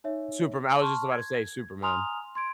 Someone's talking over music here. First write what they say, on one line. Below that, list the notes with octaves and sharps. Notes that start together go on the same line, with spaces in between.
Superma I was just about to say Superman.
D#4 C#5 E5
A5 C6 C#6 F6
G#6
G#5 A#5 C6 D#6 F6 F7
C6 G#6 D7